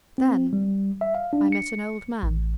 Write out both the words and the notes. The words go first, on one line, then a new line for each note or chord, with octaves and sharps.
Then I met an old man.
C4
G3
E5
F5
D4
C#7
A1